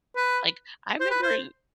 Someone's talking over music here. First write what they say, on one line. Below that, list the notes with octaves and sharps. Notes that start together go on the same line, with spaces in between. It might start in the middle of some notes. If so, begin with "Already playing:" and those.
like, I remember i
B4
C5
B4
C5